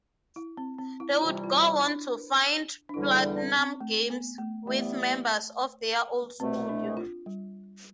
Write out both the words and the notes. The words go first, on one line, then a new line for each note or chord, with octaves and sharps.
They would go on to found PlatinumGames with members of their old studio.
E4
C4
C4
E4
E4
C3 E3 G3 F4
F4
E4
D4
D4
E2 D3 G3 E4
D4
C4
C4
A3
B3
A3
E3 G3 A3 B3
C2 B2 A3 C4
D4
F4
G3